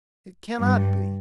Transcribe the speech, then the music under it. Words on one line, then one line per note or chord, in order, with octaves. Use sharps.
It cannot be.
G2